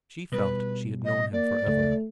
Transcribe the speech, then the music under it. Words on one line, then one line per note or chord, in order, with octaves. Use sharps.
She felt she had known him for ever.
B2 G3 B4
D#5
A#3 D5
C#2 A3